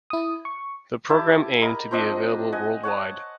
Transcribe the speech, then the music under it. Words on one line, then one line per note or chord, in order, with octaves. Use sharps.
The program aimed to be available worldwide.
E4 D#6
C#6
E4 G4 A5
A#4 D#5 A#5 B5
F3 C4 D4 D#5
D#5 F#5 G#5
C#5 F#5 A5 D#6